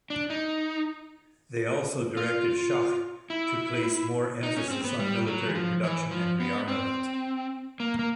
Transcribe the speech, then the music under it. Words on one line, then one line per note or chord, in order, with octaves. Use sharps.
They also directed Schacht to place more emphasis on military production and rearmament.
D4
D#4
F4
E4
D#4
C#4
C4
B3
G3
F#3
E3
F3
E3
F3
B3
C4
A#3
A#3